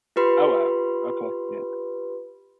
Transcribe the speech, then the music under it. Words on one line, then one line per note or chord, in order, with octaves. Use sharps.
Oh, wow. Okay, yeah.
F4 G4 B4 B5 C6